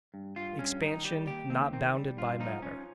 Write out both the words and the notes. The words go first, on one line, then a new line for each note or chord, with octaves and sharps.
Expansion not bounded by Matter.
G2
G2 F4
G2 C#4
D#3 D#4
G3 G4
D#2 G4
D#2 C4
D#3 C4
G3
G2 F4
F3 D#4
F3 C#4